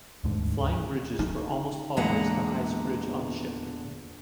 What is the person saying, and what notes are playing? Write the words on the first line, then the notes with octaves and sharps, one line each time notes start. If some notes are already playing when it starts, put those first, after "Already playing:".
Flying bridges were almost always the highest bridge on the ship.
D#1 D2 G#2 D3
D#4
E2 A#2 D3 G#3 F#5 A#5